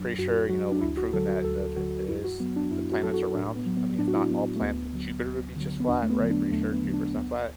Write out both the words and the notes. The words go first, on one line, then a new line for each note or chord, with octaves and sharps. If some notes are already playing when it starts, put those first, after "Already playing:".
pretty sure, you know, we've proven that that there there is the planet's are round. I mean, if not all plan that Jupiter would be just flat, right? Pretty sure Jupiter's not flat.
Already playing: F#2 F#3 D4
F#2 F#4
F#3 F#4
D4
D2 E4
F#4
D3 F#3 A4
F#4
D2 A4
D3 F#3 F#4
F#2 E4
F#4
F#3 B3
D4
F#2 E4
F#4
F#3 A4
F#4
A2 D4
B3
F#3
B3
A2 D4
F#4
E4
D4
F#3 B3
A3
D2 B3
D3 F#3
D2
D3 F#3
B3
E2 D4
A3
B3
D3 F#3
D4
E2 A3
B3
D3 F#3
D4
D2 B3